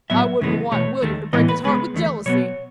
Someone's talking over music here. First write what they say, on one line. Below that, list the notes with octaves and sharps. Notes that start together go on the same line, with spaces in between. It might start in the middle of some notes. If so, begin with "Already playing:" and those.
I wouldn't want William to break his heart with jealousy.
A2 F#3 B3 E5
F#2 C#3 E3 G#3 B3
E2 B2 A3 C#5
D#2 D#3 A3
A2 E3 G#3 B3 D#5
B4
C#2 C#3 G#3 B3 B4
E2 D#3 A3
B2 F#3 B3 C#5